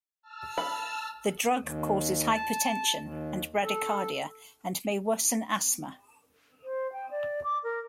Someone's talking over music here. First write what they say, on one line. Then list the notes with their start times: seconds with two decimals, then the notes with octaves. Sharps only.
The drug causes hypotension and bradycardia and may worsen asthma.
0.22 A5 E6 F6
0.58 B5
1.59 D#2
2.32 A5
2.98 D#2
3.63 A4
6.64 C5
6.92 G5
7.11 D5
7.44 D6
7.64 A#4